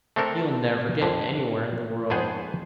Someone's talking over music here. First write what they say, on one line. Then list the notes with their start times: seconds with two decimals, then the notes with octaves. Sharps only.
You'll never get anywhere in the world.
0.16 A3 C4 D4 A4 A#4
1.02 F2 D3
2.10 F2 G#2 B3 G#4 C5